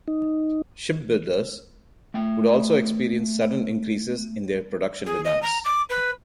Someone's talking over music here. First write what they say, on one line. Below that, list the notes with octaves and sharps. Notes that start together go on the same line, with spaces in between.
Ship builders would also experience sudden increases in their production demands.
D#4
A3 G5
G#4
D#5
A#5
D6
B4